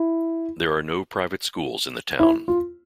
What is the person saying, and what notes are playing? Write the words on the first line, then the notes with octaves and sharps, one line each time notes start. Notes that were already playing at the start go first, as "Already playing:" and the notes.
There are no private schools in the town.
Already playing: E4
E4
F4